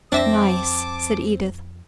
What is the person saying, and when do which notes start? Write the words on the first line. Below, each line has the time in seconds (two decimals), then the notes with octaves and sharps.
"Nice!" said Edith.
0.12 F2 C4 D4 E5 A5 D6 A#6